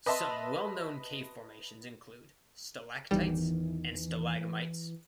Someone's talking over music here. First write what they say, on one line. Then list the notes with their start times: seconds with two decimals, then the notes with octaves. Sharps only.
Some well known cave formations include stalactites and stalagmites.
0.06 B4 D#5 E5 A5 C6
3.11 G1 E2 D#3 E3 G3